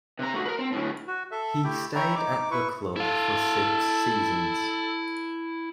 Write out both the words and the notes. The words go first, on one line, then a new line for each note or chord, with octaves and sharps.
He stayed at the club for six seasons.
C3 A#5
A3 F#4
A#4 B4
C4
D2 A2
F#4
A4 E5
A3 E4 G4 G5
C#5 E5 G5 A#5 B5
D#4 D6
E4 B4 C#6
E4 A4 F5